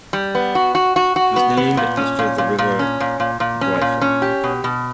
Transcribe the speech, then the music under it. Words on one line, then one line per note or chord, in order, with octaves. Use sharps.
It was named after the river Dwyfor.
G3
B3
F#4
F#4
F#4
F#4
B3
B3
A#2
C#4
A#2
A#2
A#2
C#4
A#2
A#2
A#2
C#4
A#2
C#4
G4
B2
B2